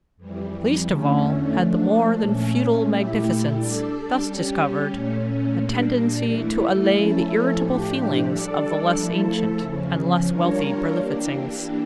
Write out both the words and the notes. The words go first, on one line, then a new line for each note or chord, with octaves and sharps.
Least of all had the more than feudal magnificence, thus discovered, a tendency to allay the irritable feelings of the less ancient and less wealthy Berlifitzings.
F2 E3 G3
E2 D3 A3 C#4
F3 A3 D4
A#2 A3 C#4
A#2 A3 E4 G4
G3 D4 A4 D5
G3 C#4 G4
A#2 A3 C#4
A#2 G3 A#3 D4
E2 E3 A3 E4
F3 A3 C#4 E4 A4
A2 F3 A3 D4 G4
G3 D4 A4 D5
F3 A3 E4 A4
E2 C#3 F3 C#4
G3 D4 F4 A#4 C#5
E3 A#3 D4 G4